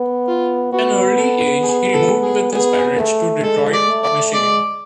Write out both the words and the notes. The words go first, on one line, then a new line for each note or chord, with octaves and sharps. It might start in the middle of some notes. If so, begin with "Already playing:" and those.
At an early age he removed with his parents to Detroit, Michigan.
Already playing: B3
F4
B3 F#4
A4
G#4
A4
G#4
B3 G#4
A3
G#3 A4
D5
A3
D5
G#3 D5